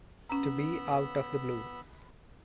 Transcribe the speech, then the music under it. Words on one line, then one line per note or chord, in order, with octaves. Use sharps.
To be out of the blue.
B3 C#4 A#5 B5 E6